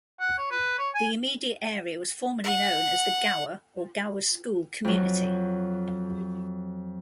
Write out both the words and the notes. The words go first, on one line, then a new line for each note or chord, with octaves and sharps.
The immediate area was formerly known as the "Gower" or "Gower School" community.
F#5
C#5
B4
C#5
G#5
F#5
F2 F#3